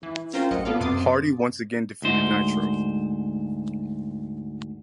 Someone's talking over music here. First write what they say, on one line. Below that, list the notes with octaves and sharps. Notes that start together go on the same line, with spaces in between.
Hardy once again defeated Nitro.
E3
C#4 F4 A#4 C5 G5
A1 F#3 D#5 C#7
B3 F4 A4 D5 F5
F#2 C3 C6 D6 D#6 A6
D2 G#2 C5